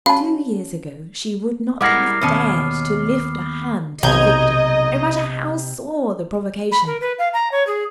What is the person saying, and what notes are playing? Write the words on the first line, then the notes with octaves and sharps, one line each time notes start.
Two years ago she would not have dared to lift a hand to Victor, no matter how sore the provocation.
C#4 F#4 F5 A5 B5
G3 G#3 E4 A#4 F#5 D6 F6 C7
D#2 G#2 B2 B3 C#4 A5
B1 C3 D#4 D#5 G6 G#6
B5
A#4
B4
F5
A#5
C#5
G#4